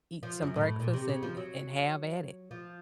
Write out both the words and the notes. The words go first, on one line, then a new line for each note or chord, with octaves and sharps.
eat some breakfast and and have at it.
F3
F#2
A#2
A2
A#2
C3
C#3
F3
F#3
F3